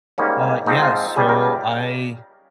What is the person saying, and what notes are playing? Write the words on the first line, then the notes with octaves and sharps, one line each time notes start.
Uh, yeah, so I
G#2 G3 A#3 C#4
G#2 F3 C4 D#4
F4
C#2 C#3 G3 G#4
A#4